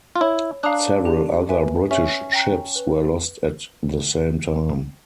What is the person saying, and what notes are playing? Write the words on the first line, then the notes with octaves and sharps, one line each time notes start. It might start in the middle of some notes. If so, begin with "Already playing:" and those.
Several other British ships were lost at the same time.
F4
E4 C#5
D4 F5 A#5 D#6 F#6
G4
B4 E5 G#5
C#4 E5
G5 A#5
B4